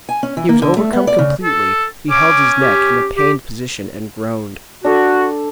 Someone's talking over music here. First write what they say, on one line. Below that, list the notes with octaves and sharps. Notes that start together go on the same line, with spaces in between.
He was overcome completely; he held his neck in a pained position and groaned.
G#5
C#4
E3
A#3
D3
A3
B3
D5
C#3
A4
C#4 D6
G4
G4
D4 F#4 A4